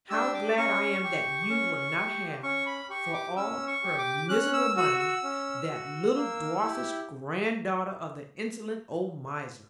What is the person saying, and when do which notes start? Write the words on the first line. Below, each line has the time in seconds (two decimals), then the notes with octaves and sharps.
How glad I am that you will not have, for all her miserable money, that little dwarfish granddaughter of the insolent old miser!'
0.10 D4 G4 E6
0.34 D6
0.56 C#4 C#6
1.04 G4
1.50 C#4
1.97 G4
2.43 C#4 C#6
2.66 B5
2.90 G4 C#6
3.13 D6
3.37 C#4 E6
3.67 C#6
3.84 G4
3.98 D6
4.29 C#4 F#6
4.53 E6
4.77 F#4 E6
4.99 E6
5.23 C#4
5.69 F#4
6.16 A#3
6.62 E4 G4